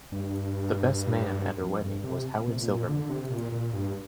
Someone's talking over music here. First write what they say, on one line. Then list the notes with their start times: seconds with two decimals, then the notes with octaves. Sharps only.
The Best Man at her wedding was Howard Silverman.
0.12 G2
1.61 F2
1.82 G2
2.04 C3
2.48 C3
2.56 A#2
2.88 D3
3.09 C3
3.30 A#2
3.52 A#2
3.73 G2